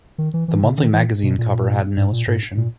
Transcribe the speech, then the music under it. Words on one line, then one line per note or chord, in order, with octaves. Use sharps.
The monthly magazine cover had an illustration.
D#3
E3
E3
C#3
D#3
E3
B2
A#2
G#2
A#2
G#2
A#2